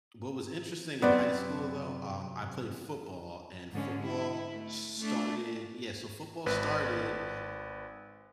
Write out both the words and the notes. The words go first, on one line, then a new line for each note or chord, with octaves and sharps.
what was interesting in high school though, um, I played football and football started yeah, so football started,
F#2 C3 B3 C4 D5
G#2 D3 C#4
E4
A3
A3 D4
G#1 B4